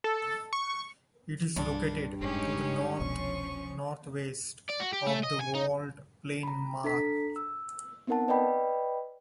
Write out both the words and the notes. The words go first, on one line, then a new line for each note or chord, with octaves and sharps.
It is located to the north-northwest of the walled plain Mach.
A4
C#6
C2 G2 D4
F1 G#2 G#3 C#4 D#4 G4 C#5
F1 C2 B2 F3 C#4 C#6
D5
F#4
G4
A3
D#5
G#5
D#4
A#5 B5
D4 A4 A#5 B6
E6
B3 C4 D#4 A#4 F#5 A5
B4 D5 D#5 G5 B5